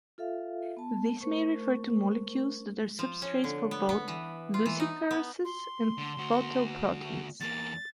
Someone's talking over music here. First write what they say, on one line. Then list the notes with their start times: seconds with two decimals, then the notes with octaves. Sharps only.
This may refer to molecules that are substrates for both luciferases and photoproteins.
0.18 F4 A4 E5 F5
0.77 B3 A5
1.21 A3 A#4 C5 C#6
2.99 F3
3.22 C#4
3.44 D3
3.71 B3
3.89 B3
4.08 E3
4.54 F4
4.66 E3
4.80 D#4
5.11 B3
5.45 C6
5.98 D3
6.17 D2 F#4
7.40 E2 A#3 A6